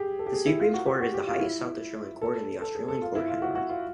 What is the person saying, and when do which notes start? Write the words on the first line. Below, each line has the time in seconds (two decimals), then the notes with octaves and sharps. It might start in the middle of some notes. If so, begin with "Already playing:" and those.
The Supreme Court is the highest South Australian court in the Australian court hierarchy.
Already playing: G4 G#4
0.19 A4
0.27 G4
0.33 G#4
0.46 E4
0.60 F4
0.74 F#4
0.86 G4
1.00 F#4
1.14 G4
1.27 F4
1.40 E4
2.22 A4
2.62 A4
2.75 G#4
2.88 A4
3.02 F4
3.15 E4
3.28 F4
3.42 F#4
3.55 F#4
3.70 F4